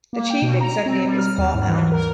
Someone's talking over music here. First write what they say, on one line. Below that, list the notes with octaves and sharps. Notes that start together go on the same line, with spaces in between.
The Chief Executive is Paul Allen.
A#3
G5
B2
A#5
C4
G3
F6
D#2
G#2
E3
A#4